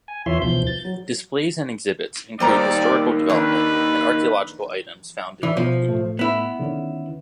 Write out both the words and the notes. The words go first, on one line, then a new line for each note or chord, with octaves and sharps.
Displays and exhibits include historical development and archaeological items found in Lamphun.
G#5
E2 E3 F4 C#5 E5 C6
D2 B2 E3 F3 G6
G6 A6
F#3
D#2 G3 C5 D5 A#5
D#3 A#3 D4 B4
E3 D5
B2 F3 B3
A2 A3
B3 E4
D3 D#3 C#4